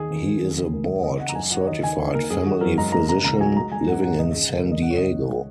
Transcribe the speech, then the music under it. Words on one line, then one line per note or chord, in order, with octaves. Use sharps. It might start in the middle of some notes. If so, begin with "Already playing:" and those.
He is a board-certified family physician, living in San Diego.
Already playing: D#2 D#3 G#4 A#4
D#2
F#3
D#2
C#3
D#2 A#4
G#3
A#3 D#5
C#3 F#5
A#5
F#2 G#5
F#3 F#5
C#5
D#2 D#5
D#3 G#5
D#2
A#3 A#4
F#2 G#4
D#3 F#4
F#2 A#4
G#3 A#5
A#3 A#5
C#3 A#5
C#2 A#5
F#3 G#5
G#3 A#5
G#3 G#5
G#2 F#5
G#2 F#5
C#2 D#5
C#3 G#4
C#2 A#4
A#4
G#3 D#5
C#2 F#5
C#5
C#3 D#5
C#2
G#3